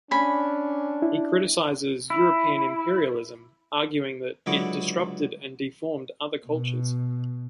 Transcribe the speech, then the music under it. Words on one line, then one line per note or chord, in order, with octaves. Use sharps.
He criticizes European imperialism, arguing that it disrupted and deformed other cultures.
C#4 D4 G#5 B5
E4
E4
C#2 D3 F#3 E4 D#5 D6
B2